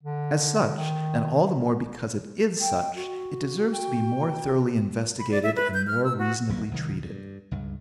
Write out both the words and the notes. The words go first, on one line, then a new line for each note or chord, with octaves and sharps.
As such, and all the more because it is such, it deserves to be more thoroughly investigated and more reasonably treated.
D3
D#3
G5
F#4
G5
B5
D5
E5
B4
G6
F6
E6
F#4
D1 B1 F#3 A#3
C2 D#3
G2
C#2 G2